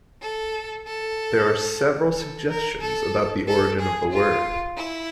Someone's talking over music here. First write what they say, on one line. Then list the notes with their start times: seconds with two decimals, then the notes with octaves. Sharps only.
There are several suggestions about the origin of the word.
0.21 A4
0.87 A4
2.16 A4
2.49 A#4
2.81 A4
3.47 A4
3.80 G#4
4.12 F4
4.77 E4